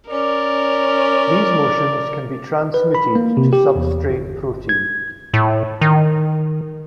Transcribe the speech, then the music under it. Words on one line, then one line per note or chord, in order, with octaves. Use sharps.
These motions can be transmitted to substrate protein.
C#4 A#4 D5
B4
B5
A#3
C3
G4
E2
G1
G#6
A2
D#3